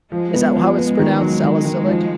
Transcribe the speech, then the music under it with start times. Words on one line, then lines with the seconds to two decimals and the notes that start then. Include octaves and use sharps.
Is that how it's pronounced, salicylic?
0.12 F3 G#3
0.34 B3
0.56 F3
0.78 B3
0.99 D#3
1.21 F#3
1.44 D#3
1.65 D#3
1.87 F3